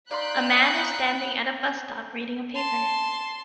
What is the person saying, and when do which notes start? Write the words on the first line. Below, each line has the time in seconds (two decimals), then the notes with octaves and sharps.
A man is standing at a bus stop reading a paper.
0.11 D#4 D5 F5 B5 C6 F#6 G6
2.55 A5 C6